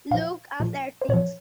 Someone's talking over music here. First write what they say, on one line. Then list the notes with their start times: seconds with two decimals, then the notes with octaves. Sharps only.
Look after things.
0.11 A#2 F3 F5
0.60 A#2 F3
1.02 C5
1.09 A#2 F3 C#5